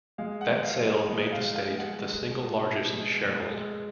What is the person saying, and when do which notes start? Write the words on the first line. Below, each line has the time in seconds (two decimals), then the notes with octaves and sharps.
That sale made the state the single largest shareholder.
0.18 G#3 F5
0.41 F#5
0.49 G#3
0.64 F5
0.79 G#3
0.87 D#5
1.09 G#3 D#5
1.32 F5
1.40 G#3
1.55 F5
1.71 G#3
1.78 F#5
2.01 G#3
2.31 B2
2.62 B2
2.93 G#3
3.23 G#3
3.54 G#3